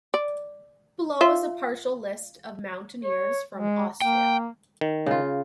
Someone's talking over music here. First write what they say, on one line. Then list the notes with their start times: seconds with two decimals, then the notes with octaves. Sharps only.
Below is a partial list of mountaineers from Austria.
0.14 D5
1.21 F4 E5
3.04 C#5
3.55 G#3
4.02 A#3 G5
4.81 D#3
5.06 C#3 F4